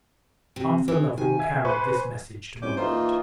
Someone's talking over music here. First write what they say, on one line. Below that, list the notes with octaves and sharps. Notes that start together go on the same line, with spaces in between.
Arthur Lovell carried this message to Margaret.
C3
E3
D#3 G#5
E5 G#6
B4 C5 C#6
C2 C#4 D6 G6
A1 E3 D#4 F4 C5
A#2